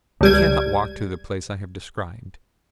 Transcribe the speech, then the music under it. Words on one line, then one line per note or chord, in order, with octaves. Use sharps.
We cannot walk to the place I have described.
C#2 G3 G#6